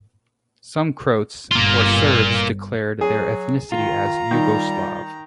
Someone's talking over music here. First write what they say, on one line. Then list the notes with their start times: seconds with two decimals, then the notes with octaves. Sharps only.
Some Croats or Serbs declared their ethnicity as Yugoslav.
1.51 G1 A#3 F4
3.01 F#3 G#4
3.72 D#3 F4 A#5
4.31 D#3 G3